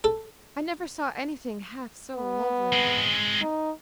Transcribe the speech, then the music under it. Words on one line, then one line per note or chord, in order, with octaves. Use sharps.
"I never saw any thing half so lovely."
A4
B3
G#3 C4
D#4